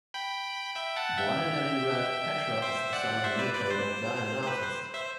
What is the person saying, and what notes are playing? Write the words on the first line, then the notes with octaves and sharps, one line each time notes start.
Born in Leningrad, Petrov is the son of a military doctor and an artist.
G5 B5
E5 G5
F#5 A5
E5 G5
C5 E5
D5 F#5
C5 E5
B4 D5
B4 D5
B4
C5
C5
B4
C5
C5 E5